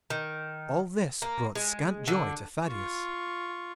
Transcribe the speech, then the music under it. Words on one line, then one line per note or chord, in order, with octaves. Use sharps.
All this brought scant joy to Thaddeus.
D#3
A#3
G#3
D3
F4 C#6